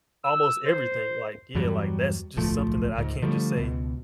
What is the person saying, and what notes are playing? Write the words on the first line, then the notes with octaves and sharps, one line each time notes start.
almost everything, like, yeah, like, that's just something that I can't just say,
E6
C5
E2 G2 F#3 G3
D1 B1 F3 A3
C#2 G#2
D3 F3 G3 A3
C#2 B2